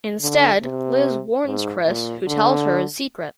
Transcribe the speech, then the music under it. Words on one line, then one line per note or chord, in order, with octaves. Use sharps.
Instead, Liz warns Cris, who tells her his secret.
D3
C3
G#2
A#2
D3